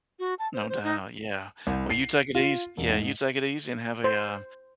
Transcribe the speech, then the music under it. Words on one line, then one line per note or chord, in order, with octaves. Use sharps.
No doubt, yeah. Well, you take it eas Yeah, you take it easy and have a, uh,
F#4
A5
C5
C5
D#4
C2
C7
F4
E1
G#2
C5